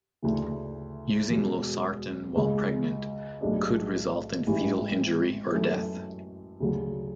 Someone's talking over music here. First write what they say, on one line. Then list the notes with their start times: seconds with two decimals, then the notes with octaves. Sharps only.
Using losartan while pregnant could result in fetal injury or death.
0.22 D2 C#3 E3
1.29 E1 E2 B2 G#3
2.36 C#2 C#3 G#3
3.41 B1 A2 G#3 D4
4.47 A1 G#2 E3 G#3
5.53 F#2 E3 A3 C#4
6.60 D2 C#3 F#3